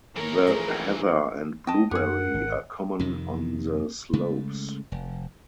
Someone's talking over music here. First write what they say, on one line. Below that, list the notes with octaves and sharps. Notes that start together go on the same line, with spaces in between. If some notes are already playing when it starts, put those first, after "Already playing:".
The heather and blueberry are common on the slopes.
E3 A#4 C#5
F3 A3 G#4
D#5 G5 A5
F#2 G4 G#4 A#4 F#5
G#1
F2 C3 D#3
C#3 G#3 A3
F1